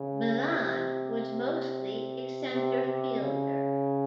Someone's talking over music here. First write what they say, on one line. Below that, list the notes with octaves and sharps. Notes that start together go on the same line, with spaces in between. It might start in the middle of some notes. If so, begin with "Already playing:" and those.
Milan was mostly a center fielder.
Already playing: C#3
C3
C3
C3
C#3